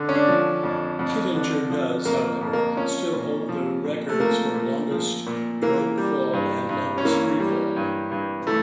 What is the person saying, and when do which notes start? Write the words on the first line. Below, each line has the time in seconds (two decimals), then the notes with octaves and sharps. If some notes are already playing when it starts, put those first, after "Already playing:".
Kittinger does, however, still hold the records for longest drogue fall and longest freefall.
Already playing: D3
0.09 C#4
0.15 D4
0.28 F3
0.63 F2
0.99 F2
1.35 D3
1.70 F3
2.05 F2 A#3
2.41 F2
2.53 A#3
2.77 F3 C#4
3.13 A#2
3.49 F3
3.85 A#2
4.09 A3
4.20 F3 A#3
4.55 A#2
4.91 F3
5.27 A#2
5.62 E3 A#3
5.98 G3
6.33 G2
6.69 G2
6.98 C#4
7.05 E3 A#3
7.40 G3
7.76 G2
8.12 G2
8.47 E3 A3